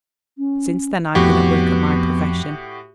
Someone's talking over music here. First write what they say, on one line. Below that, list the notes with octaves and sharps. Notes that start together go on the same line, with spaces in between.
Since then I've been at work at my profession.
C#4
F2 A2 B3 F#4 G4